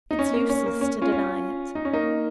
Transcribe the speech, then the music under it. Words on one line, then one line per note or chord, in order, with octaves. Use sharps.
It's useless to deny it.
D#4
C#4
A#3
C#4
A#3
C#4
C#4 F4
C#4 F4
D#4
C#4
A#3 D#4